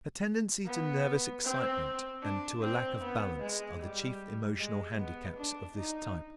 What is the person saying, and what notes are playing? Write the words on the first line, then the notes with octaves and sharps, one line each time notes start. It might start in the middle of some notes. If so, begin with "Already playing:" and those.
A tendency to nervous excitement and to a lack of balance are the chief emotional handicaps of this type.
B3
C4
D4
C4
B3
G#3
G3
G#3
B3
D4
D#4